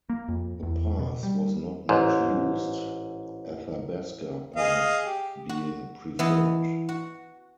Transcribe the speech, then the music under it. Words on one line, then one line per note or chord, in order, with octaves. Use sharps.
The pass was not much used, Athabasca Pass being preferred.
A#3
F2
E2
B2
G3
A1 G#2
G#4 D#5 F5
G4
F#4
E3 B3 D#5
F#4